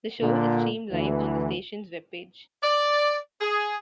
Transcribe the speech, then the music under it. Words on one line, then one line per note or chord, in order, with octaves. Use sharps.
The show is streamed live on the station's webpage.
A#2 D3
D2 E3
D5
G#4